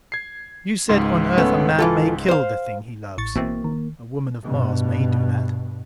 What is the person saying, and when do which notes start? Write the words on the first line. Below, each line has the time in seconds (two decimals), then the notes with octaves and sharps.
You said, 'On Earth a man may kill the thing he loves.' A woman of Mars may do that!
0.12 G#6 C7
0.89 C#2 G#2 C6
1.38 A3 B3 C#4
1.79 E3 F4 A4
2.29 C5 F5
3.18 A1 C#6 A6
3.36 B2 E3 A#3 C4
3.64 D#3
4.43 G2 B2